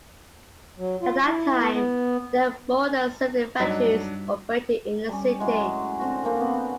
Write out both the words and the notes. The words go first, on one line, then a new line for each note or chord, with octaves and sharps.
At that time, there were more than seventy factories operating in the city.
F#3
F4
E4
B3
B3
G2 F#3 D4 D#4 B6
G3 C#4
A2 F#3 G#3
D3 C4 F#4
D3 A#3 C4 C#4
B3